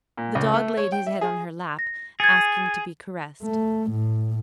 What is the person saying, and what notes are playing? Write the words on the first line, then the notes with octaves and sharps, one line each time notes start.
The dog laid his head on her lap, asking to be caressed.
A#2
C#2
A3
C#5
G5
E5
G#4
A#6
G#4 G#6 A6 C#7
A3
A2